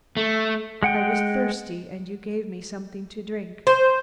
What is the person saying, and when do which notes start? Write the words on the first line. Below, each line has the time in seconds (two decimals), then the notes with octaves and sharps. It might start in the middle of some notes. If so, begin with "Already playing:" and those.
I was thirsty, and you gave me something to drink.
0.17 A3
0.83 G#3 F#5 G5
3.67 C5